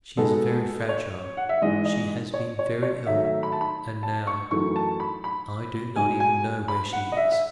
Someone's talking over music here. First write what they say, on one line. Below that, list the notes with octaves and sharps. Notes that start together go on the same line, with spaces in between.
She is very fragile; she has been very ill, and now--I do not even know where she is.
B2 G#3 B3 D#4 A4
C#5
F#5
E5
G#2 E3 G#3 D#5
D#5
C#5
C#5
C#5
D#3 F#3 A3 D#4 E5
E5
B5
A5
B5
A5
C#6
F#2 E3 A3 D#4 C#6
A5
B5
B5
B2 G#3 D#4 G#5
G#5
B5
F#5
D#5
E5
E5